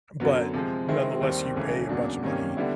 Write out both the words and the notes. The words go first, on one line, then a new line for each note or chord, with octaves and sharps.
But nonetheless, you pay a bunch of money
F#2 D3 F#3 B3
C3 F3 G#3
D#3 G#3 C4 E4
D#2 D#3 G3 C4
C#2 C#3 E3 A3 C#4
E2 C#3 F#3 A#3 D4
C3 D#3 G3 A#3 C#4
D3 G3 B3 E4